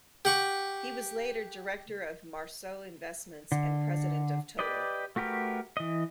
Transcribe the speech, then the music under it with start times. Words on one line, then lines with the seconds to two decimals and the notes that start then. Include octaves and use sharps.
He was later director of Marceau Investissements and President of Total.
0.25 G4 F#5 C#6
3.52 D3
4.59 G4 B4 D5 D#5
5.16 A3 F#4 G4 A#4 B4
5.77 E3 D#5